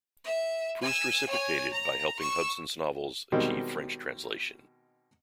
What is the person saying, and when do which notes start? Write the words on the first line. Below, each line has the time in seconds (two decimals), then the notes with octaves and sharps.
Proust reciprocated by helping Hudson's novels achieve French translation.
0.24 E5
0.81 G#5 E6
1.28 C#5 G#5
1.73 A#5
2.19 C#6 E6
3.32 B2 D#3 G3 G#3 C4